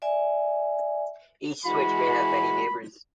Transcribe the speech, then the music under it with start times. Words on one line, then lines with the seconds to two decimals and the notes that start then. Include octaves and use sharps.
Each switch may have many neighbors.
0.02 D5 E5 G#5
1.66 E3 G#3 F#4 B5